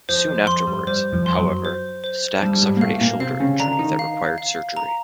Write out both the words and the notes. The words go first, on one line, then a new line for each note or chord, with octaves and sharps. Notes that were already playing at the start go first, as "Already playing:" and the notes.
Soon afterwards, however, Stack suffered a shoulder injury that required surgery.
F2 F3 C5
F2 F3
F2 F3 C6
G2 G3
G2 G3 C5
F2 F3
F3 C6
F#2 F#3
C5
C5
G2 G3 A5
G3
G#2 G#3
A#3
A2 A3 F5
A#2 A#3
C3 C4 F5
C#3 C#4
D3 D4 A#5
D#3 D#4
F5
F5
A#5